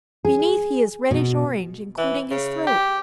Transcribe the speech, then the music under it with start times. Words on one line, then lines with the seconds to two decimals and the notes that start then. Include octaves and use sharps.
Beneath he is reddish-orange, including his throat.
0.25 G#4
1.11 B2
1.98 E3
2.31 C#3
2.67 G4